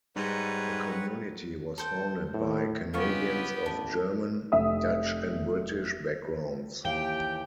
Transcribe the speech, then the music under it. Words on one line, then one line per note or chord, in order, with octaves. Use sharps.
The community was founded by Canadians of German, Dutch and British backgrounds.
G#2 G3 B4 C#5 F#5
A4 C5 G5
A2
C#2 B3 F4 G4 G#5 C#6
A1 D4
F1 E5 D#6
D#2 E3 G4 F5 G5